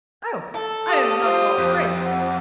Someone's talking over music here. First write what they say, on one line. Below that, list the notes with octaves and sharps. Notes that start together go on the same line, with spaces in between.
'Oh! I'm not at all afraid.
A4
G4 F5 D#6
F4 C5
F2
F#5